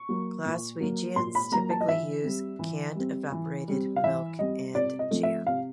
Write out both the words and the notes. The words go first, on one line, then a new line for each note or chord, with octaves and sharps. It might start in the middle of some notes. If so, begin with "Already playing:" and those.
Glaswegians typically use canned evaporated milk and jam.
Already playing: C#6
F#3 A#3
A#2
F#3 A#3
A#2 C6
B5
F#3 A#3 A#5
A5
D#5
E3 E5
G3 C4
E3
G3 C4
E3
G3 C4
F5
E3 E5
G3 C4 D#5
C3 D5
D#5
F3 A3 C4
E5
C3 F5